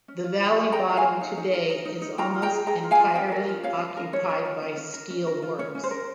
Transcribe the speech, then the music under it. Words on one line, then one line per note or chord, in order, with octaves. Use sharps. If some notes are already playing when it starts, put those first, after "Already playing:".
The valley bottom today is almost entirely occupied by steel works.
C#4
F4
F4
G#4
G#4 G5 A#5
F4
F5 G#5
F4
D#4
D#4
A#4
A#4
D#4
D#4
F4 G5 A#5
F4
G5 A#5
G#4
G#4 G5 A#5
F4
F5 G#5
F4
C#4 D#5 G5
A#4
F4
C#4 C#5 F5
C#4
A#4
C#4 C#5
A#4
F4
C#4
C#4
A#4
C#4
A#4
F4
C#4 C#5
C#4
C5
A#4